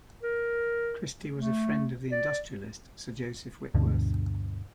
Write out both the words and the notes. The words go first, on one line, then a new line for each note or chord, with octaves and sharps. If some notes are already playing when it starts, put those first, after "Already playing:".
Christie was a friend of the industrialist Sir Joseph Whitworth.
A#4
A3
D5
D2 G2 B2 D3